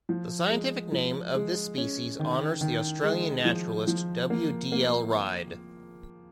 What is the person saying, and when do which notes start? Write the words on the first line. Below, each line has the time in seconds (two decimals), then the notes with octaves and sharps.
The scientific name of this species honours the Australian naturalist W. D. L. Ride.
0.09 F3
0.50 G#3
0.92 F3
1.35 G#3
1.77 C#4
2.19 D#3
2.61 D#3
3.03 G#3
3.45 F3
3.87 F3
4.30 A#3
4.72 A#3